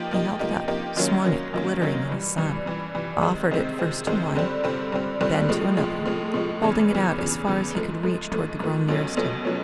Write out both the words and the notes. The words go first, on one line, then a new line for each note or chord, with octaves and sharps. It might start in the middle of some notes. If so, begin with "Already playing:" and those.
He held it up, swung it, glittering in the sun, offered it first to one, then to another, holding it out as far as he could reach toward the girl nearest him.
Already playing: F3 A#3 D#4 G4
F3 A#3 D#4 G4
F3 A#3 D#4 G4
F3 A#3 D#4 G4
F#2 D#3 F#3 A#3 C#4
F#2 D#3 F#3 A#3 C#4
F#2 D#3 F#3 A#3 C#4
F#2 D#3 F#3 A#3 C#4
G2 E3 G3
G2 E3 G3
G2 E3 G3
G2 E3 G3
C3 D#3 G#3 C4
C3 D#3 G#3 C4
C3 D#3 G#3 C4
C3 D#3 G#3 C4
G2 D3 G3 C4
G2 D3 G3 C4
G2 D3 G3 C4
G2 D3 G3 C4
A2 F3 G#3
A2 F3 G#3
A2 F3 G#3
A2 F3 G#3
E2 C#3 E3
E2 C#3 E3
E2 C#3 E3
E2 C#3 E3
G#2 F3 A3
G#2 F3 A3
G#2 F3 A3
G#2 F3 A3
C#2 B2 F#3 A3 C#4
C#2 B2 F#3 A3 C#4
B2 F#3 A3 C#4